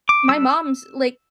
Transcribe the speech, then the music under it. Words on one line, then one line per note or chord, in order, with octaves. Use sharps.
my mom's, like,
D6
G3 D4 E6